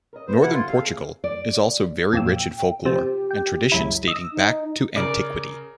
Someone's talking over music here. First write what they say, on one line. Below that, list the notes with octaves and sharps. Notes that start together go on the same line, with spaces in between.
Northern Portugal is also very rich in folklore and traditions dating back to antiquity.
A#4 B4 D#5
B4 C5
C3 E4 F#5
D3 F3 F4
C4 G4 A4 F5
D2 G#4
D5
F2 A#2 G5 E6
C3 F3 C4 G4
G5
C#2 F#2 E4
D#5 E6
D#4
C#3 A#4 D5